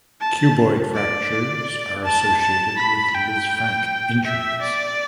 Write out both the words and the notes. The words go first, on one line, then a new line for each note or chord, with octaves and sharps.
Cuboid fractures are associated with Lisfranc injuries.
A5
D5
A5
A5
B5
G5
E5
D5